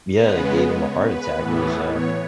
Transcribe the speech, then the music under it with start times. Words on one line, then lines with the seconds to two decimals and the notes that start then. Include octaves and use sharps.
yeah, it gave him a heart attack, it was, uh
0.15 C#3 G#3 B3 B4
0.74 C#5
1.02 B4
1.32 A2 E3 B3
1.88 C#5